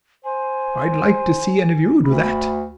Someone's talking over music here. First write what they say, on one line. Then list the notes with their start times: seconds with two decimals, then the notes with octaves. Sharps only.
I'd like to see any of you do that!
0.24 C5 G#5
2.04 D2 B5